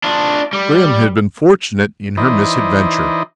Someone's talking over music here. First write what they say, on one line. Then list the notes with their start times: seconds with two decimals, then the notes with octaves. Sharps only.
Grim had been fortunate in her misadventure.
0.04 D4 F4
0.53 G3
2.17 E3 D#4 E4 C5 D5 D#5